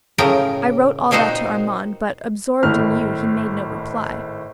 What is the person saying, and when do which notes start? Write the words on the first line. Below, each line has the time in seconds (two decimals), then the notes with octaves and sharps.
I wrote all that to Armand, but, absorbed in you, he made no reply.
0.18 A2 C#3 A#4 G5 A#5
1.11 A#2 C4 D#4 F#4 C5
2.63 G#1 A2 F6